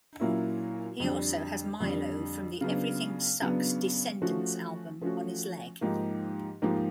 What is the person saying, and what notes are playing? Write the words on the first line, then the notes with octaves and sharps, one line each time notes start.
He also has Milo from the "Everything Sucks" Descendants album on his leg.
A#2 F#3 A#3 C#4 E4
F2 D3 G3
F2 D3 G3
C#3 F#3 B3 D4
C#3 F#3 B3 D4
F3 A3 C#4 F#4
F3 A3 C#4 F#4
G#2 F3 A#3 D#4 G4
G#2 F3 A#3 D#4 G4